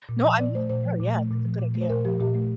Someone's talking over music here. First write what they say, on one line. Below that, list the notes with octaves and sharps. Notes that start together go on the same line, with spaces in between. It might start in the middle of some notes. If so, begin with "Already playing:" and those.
No. I'm with you there, yeah. That's a good idea.
A#2
F3 D#5
A#2 D5
A3 C5
A#2 C5
F3
A#2
A3
A#2
F3
A#2
A3
C5
A#2 A#4
F3 G4
A#2 G4
A3